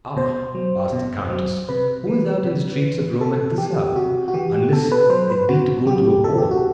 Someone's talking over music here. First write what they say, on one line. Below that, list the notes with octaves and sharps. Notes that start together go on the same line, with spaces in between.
"Ah," asked the countess, "who is out in the streets of Rome at this hour, unless it be to go to a ball?"
B2 C5
F#3
B2
F#3
C3 B4
E3
C3
E3
C3 A4
E3 G4
C3 F#4
F#4
E3 G4
B2 A4
B4
F#3 C5
B4
B2 F#4
F#3 G4
C3 A4
G4
F#4